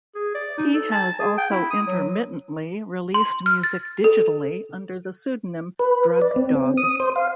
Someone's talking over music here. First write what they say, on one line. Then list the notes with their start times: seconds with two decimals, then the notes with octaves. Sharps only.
He has also intermittently released music digitally under the pseudonym Drug Dog.
0.15 G#4
0.35 D5
0.58 D#4
0.73 A4
0.92 A5
1.19 G#4
1.38 G5
1.51 E4
1.71 D#6
1.87 F#3
3.14 C6
3.46 F6
3.64 A6
4.04 A4
5.79 B4
6.21 D5
6.36 C4
6.55 C4
6.77 D#6
7.00 C5
7.16 F5